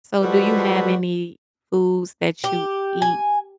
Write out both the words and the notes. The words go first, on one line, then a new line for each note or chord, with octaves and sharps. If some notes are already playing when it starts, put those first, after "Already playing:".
So, do you have any foods that you eat
F3 G3 G#3 F#4 A4 B4
G4
G#5